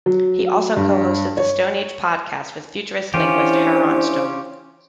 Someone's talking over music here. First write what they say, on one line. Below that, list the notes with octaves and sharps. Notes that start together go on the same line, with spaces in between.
He also co-hosted the Stone Ape Podcast with futurist linguist Heron Stone.
F#3
G2
C#5
E3 C#4 D4 E4 F4 G4 C5